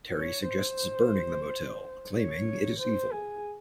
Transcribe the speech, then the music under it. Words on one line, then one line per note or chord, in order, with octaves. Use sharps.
Terry suggests burning the motel, claiming it is evil.
C#5
C5
C#5
C5
G#4